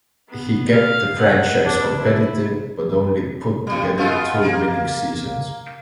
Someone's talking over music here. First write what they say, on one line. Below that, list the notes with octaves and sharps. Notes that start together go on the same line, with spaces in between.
He kept the franchise competitive, but only put together two winning seasons.
B3
F5
F#5
D4
E4
B2 G3
G#3 B3 F4
A#3